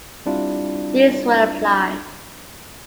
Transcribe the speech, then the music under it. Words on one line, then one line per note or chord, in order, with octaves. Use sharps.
These were applied.
G3 C4 D4 E4 F4